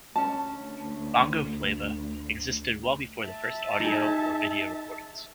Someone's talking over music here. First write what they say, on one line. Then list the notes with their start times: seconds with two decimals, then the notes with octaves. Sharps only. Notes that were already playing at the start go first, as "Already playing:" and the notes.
"Bongo flava" existed well before the first audio or video recordings.
0.16 D2 C#4 A5
3.21 E5 A5
3.80 D#4 G#4